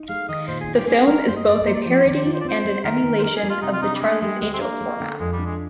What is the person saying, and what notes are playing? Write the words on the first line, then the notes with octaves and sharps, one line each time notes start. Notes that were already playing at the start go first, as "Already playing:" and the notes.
The film is both a parody and an emulation of the "Charlie's Angels" format.
Already playing: D#4
G#3 F5
D#3 D#5
A#2 C5
G#4
D#4
G4
C4 G#4
G#3 A#4
G2 C5
D#5
G2 D5
A#3 C5
D5
F3 C5
D5
C5
D#3 D5
C5
F4 D5
C5
D5
C4 C5
G#3
D#3 A#4
D#3
C5
D4 A#4
G#4
G3
F4
C3 D#4
F4
D4 D#4
G3
G#3 A#3
G3 G#3
D2 G#3
C4
A#3 D4
G#3
D3
F2 G#3
G3
D4
G#3